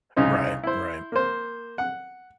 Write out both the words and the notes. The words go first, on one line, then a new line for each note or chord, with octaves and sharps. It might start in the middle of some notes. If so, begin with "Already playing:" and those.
Right. Right.
C2 C#3 D#4 C5
E4 C5
A#3 C5
F#5